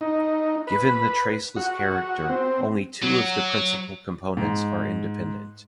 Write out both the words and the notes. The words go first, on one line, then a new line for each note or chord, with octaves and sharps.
Given the traceless character, only two of the principal components are independent.
D#4
B4
F#4
C4
F#3
G#2